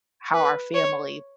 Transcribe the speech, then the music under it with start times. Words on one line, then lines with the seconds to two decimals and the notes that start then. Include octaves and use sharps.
how our family
0.34 B4
0.74 C#5